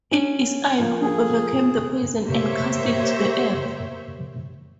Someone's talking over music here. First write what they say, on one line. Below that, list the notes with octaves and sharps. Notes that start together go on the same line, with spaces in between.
It is I who overcame the poison and cast it to the earth.
C#4
F3 A#3
G#4
A#3 G4 C5 C#5 E5